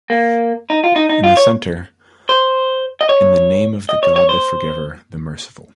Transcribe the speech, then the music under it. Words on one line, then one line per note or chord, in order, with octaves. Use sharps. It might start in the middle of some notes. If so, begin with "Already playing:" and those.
In the centre: In the name of the God the forgiver, the merciful.
A#3
D#4
F4
D#4
D#4
F4
C#5
C5
D#5
C#5
D#5
C#5
C#5
C5